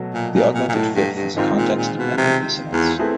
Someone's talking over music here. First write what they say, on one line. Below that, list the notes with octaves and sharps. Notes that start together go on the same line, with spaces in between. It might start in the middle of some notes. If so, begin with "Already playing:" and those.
The augmented fifth is a context-dependent dissonance.
Already playing: B2 F#3 A3
A#2
A#2
A#2
A#2
A2
G2
G2
G#2 D#3 G#3 C4 F4
A#2
A#2
B2
C3
E2
A3 C4 E4 G#4 B4